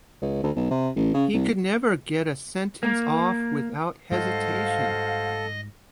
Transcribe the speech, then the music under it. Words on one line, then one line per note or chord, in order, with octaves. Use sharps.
He could never get a sentence off without hesitation.
C#2
D2
B1
C3
A1
C#3
C2
A#3
G#2 G3 F#4 A4 C5 D#5 F5